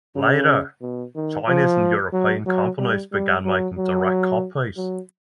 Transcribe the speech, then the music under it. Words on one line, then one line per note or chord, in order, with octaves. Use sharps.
Later Chinese and European companies began making direct copies.
C#3
B2
D#3
F3
F#3
F#3
G3
G3
F#3
F#3
F#3